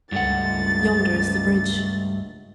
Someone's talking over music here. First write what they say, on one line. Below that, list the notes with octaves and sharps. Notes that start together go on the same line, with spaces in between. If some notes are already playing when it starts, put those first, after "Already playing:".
"Yonder is the bridge."
C#2 G2 A3 F#5 A6